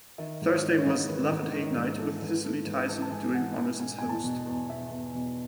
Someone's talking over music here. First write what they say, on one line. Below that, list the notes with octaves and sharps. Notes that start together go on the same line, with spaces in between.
Thursday was "Love and Hate Night" with Cicely Tyson doing honors as host.
D#3 E5
G#2
C#5
D#3
C#5
G#2
D#3 B4
G#2
D#3
G#2
E3 A4
G#2 B4
E3 A4
G#2 B4
E3 A5
A5
G#2 G#5
E3 F#5
G#2
B2 G#5
E2 G#5
A5
B2
E2
B2 E5
E2
B2